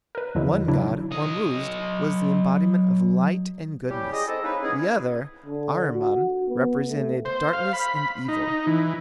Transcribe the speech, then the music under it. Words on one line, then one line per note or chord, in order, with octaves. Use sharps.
One god, Ormuzd, was the embodiment of light and goodness. The other, Ahriman, represented darkness and evil.
A#4 B4
E2 D3 F3 F#3 G#3 E4
C#3 F#3 D4 E4
F#3 D#5
G3 C#4 E4 G4
G#4 D#5
C4 D#4 E4 A4
A#3 C#4 D#4 G#4 B4
G#3 B3 C#4 E4 G#4
D3
F#4
B3
A3
C5
F5
B5
D#4
E3